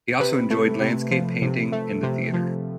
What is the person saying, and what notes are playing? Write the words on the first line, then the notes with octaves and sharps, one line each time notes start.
He also enjoyed landscape painting and the theatre.
C3 B4
A3
C3
F3
C3
A3
C3
F3